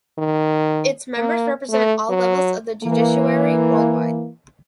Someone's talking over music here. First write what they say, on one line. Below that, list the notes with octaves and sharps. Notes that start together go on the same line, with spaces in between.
Its members represent all levels of the judiciary worldwide.
D#3
A#3
A3
F#3
E3 A#3